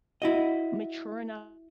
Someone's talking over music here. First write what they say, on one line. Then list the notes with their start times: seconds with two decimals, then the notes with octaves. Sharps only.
mature enough
0.22 E4 F#4 D#5